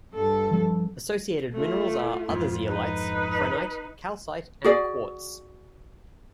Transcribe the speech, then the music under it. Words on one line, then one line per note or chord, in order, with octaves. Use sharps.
Associated minerals are other zeolites, prehnite, calcite and quartz.
G2 A4
F3 G3 C4
A3 F4
F2 G#2 F4
D#4 B4
F#4 G#4 D5